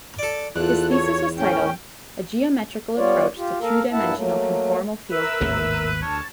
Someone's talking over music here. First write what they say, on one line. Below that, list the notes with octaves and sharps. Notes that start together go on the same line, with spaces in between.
His thesis was titled "A Geometrical Approach to Two Dimensional Conformal Field Theory".
A4 D5
E2 F4 A4 F#6
C#5
A2 C#4 G5
G3 B3 F4 C#5 D5
F4 G4
A#3 A4 A#4 F5
G2 A#3 E4 E5 F#5 A5
F#3 A3 A#3
A#4 B4 E5 E6
G#1 D#2 A2
D2 C#5 A5